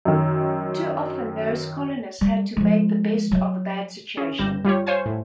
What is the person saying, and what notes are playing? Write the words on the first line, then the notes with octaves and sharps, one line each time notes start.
Too often, those colonists had to make the best of a bad situation.
F#2 D#3
G3
F3 G#3
F#3
C#4 G#4
G1 G2 G3 G6 A#6 E7
G3 F4 G4 C#5
C5 C#5 F5 G#5 G#6
A2